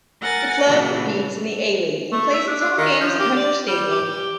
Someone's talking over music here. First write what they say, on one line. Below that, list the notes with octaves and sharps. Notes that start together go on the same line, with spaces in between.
The club competes in the A-League and plays its home games at Hunter Stadium.
A#4 F#5 G#5 A6
A#2 C#3 E3 F#3 B3
A3
E5
D4
D4
D#3
F3
G4
D5
G3
G4